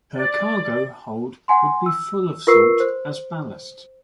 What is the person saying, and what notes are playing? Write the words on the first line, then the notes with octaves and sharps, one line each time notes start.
Her cargo hold would be full of salt as ballast.
D5
F#5 G#5 C6
E6
F4 A#4 B4 C#6 E6 C7
C5